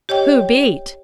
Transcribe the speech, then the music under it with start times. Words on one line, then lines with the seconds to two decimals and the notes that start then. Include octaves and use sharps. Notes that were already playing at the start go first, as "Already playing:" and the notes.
"Who beat?"
0.09 G4 C#5 D#5 G5